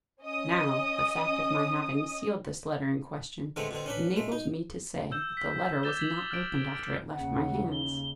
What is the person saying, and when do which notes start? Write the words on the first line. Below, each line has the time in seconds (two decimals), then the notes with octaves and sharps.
But now, the fact of my having sealed this letter in question, enables me to say that the letter was not opened after it left my hands.
0.23 C#4 D#5 D#6
3.56 D3 G#3 A3 B3 C4
3.71 B2 D3 C4
3.86 C#4 D4 B4
4.16 G#3 A3
4.32 D#4
5.12 E6 G6 E7
5.37 B6
5.83 D6 G6 A6 E7 G7
5.97 G#6 B6 F#7
6.31 F6 G#6 D7
6.75 D7
7.14 D#2 C#3 F#5
7.71 G7